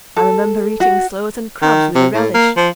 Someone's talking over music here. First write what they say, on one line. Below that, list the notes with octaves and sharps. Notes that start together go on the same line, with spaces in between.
I remember eating sloes and crabs with a relish.
A4
F#4
D#3
C3
A2
A#3
F3